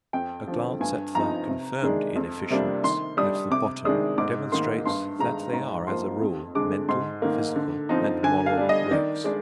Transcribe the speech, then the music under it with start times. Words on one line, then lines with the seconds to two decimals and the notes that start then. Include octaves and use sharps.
A glance at the confirmed inefficients at the bottom demonstrates that they are, as a rule, mental, physical, and moral wrecks.
0.13 F2 G5
0.48 D3 F3
0.80 G2 G#5
1.15 F3 C4 D#4 A#5
1.48 C3
1.83 D#3 G#3 D4
2.16 F2
2.50 C3 G3 A#3 D4
2.84 D#3 C6
3.17 G3 D4 D#6
3.50 C3 D6
3.85 D#3 G#3 D4 D#6
4.18 G#2 D6
4.52 D#3 A#3 C6
4.85 G2 C6
5.19 D#3 G#3 D#4 A#5
5.53 G#2 A#5
5.87 F3 A#3 C6
6.21 F2
6.55 D3 G#3 D6
6.89 G#2 C6
7.22 D#3 A#3
7.56 D3
7.89 F3 C4 D#4
8.23 D3 G#5
8.46 F5
8.57 G3 D4
8.69 D#5
8.91 D#3 D5
9.24 G#3 D4 D5